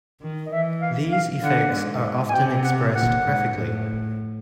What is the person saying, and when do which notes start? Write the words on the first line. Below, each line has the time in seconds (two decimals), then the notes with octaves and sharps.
These effects are often expressed graphically.
0.22 D#3
0.46 D#5
0.52 E3 E5
0.82 F5
1.12 F5
1.42 D3 F#5
1.74 G#2
2.29 G#5
2.34 C3 G5
2.64 F#5
2.95 A#2 F#5
3.25 G#2
3.55 A2